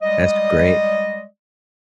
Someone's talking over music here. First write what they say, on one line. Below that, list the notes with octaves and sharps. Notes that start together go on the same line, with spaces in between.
That's great.
G3 G#3 D5 D#5